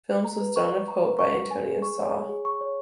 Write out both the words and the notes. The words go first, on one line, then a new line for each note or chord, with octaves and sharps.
Films was "Dawn of Hope" by Antonio Sau.
A#5
B4
C#6
F#5
A#5
B4
C#6
F#5
G#5
G#4
C#6
C#5
G#5
G#4
C#6
C#5